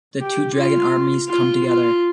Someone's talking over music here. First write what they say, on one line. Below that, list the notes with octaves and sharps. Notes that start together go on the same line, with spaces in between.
The two dragon armies come together.
G4
F4
F4
F4